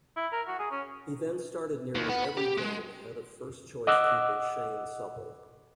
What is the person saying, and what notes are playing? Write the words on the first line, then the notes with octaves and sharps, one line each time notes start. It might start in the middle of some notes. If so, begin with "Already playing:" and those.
He then started nearly every game ahead of first choice keeper Shane Supple.
E4
A#4
F#4
G#4
C#4
D#2
B3
B5
G4
G#3
D#5 F#5 D6 E6 F#6